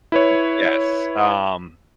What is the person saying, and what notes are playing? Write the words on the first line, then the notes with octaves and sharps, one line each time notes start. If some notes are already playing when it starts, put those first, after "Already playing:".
Y yes, um,
E4 B4 C#5